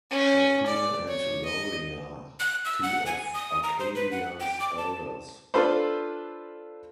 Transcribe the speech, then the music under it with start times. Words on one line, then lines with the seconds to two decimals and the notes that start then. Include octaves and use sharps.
Shagmir and Loria: Two of Arkadia's elders.
0.11 C#4
0.66 D5
1.08 C#5
1.45 D#5
2.40 F#6
2.65 E6
2.83 F#5
3.06 G#5
3.34 D#6
3.63 A#5
3.79 C5
3.95 B4
4.11 F#5
4.40 G5
4.60 D6
4.77 A5
5.54 D4 F4 A4 B4 C5